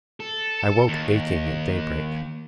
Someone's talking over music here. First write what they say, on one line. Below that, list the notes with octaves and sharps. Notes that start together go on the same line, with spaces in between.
I woke aching at daybreak.
A4
D#2